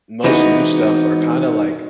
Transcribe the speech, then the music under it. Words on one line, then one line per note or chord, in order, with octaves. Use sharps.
most new stuff are kinda, like
E3 G#3 B3 C4 D#4 F#4